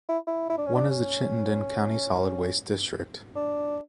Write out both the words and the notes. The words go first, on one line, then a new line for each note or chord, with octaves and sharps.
One is the Chittenden County Solid Waste District.
E4
E4
E4
D4
C#4
D4
C#4
D4